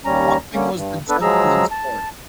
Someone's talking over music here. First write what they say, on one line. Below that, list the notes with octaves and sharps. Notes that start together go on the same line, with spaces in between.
boxing was the gentleman's sport.
D#2 G3 C#4 A#5
D3 A#3 C#4
G2
B3 D4 A4 B4
F3 F#3 G#3 G#4 A#5 E6
A5